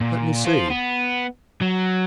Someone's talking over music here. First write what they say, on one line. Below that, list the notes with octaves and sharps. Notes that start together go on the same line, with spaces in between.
"Let me see?"
A#2
F4 C5
B3
F#3